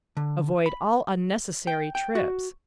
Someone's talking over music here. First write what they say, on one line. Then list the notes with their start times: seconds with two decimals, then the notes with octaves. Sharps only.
Avoid all unnecessary trips.
0.17 D3
0.66 B5
1.67 G5
1.95 G5
2.15 F#4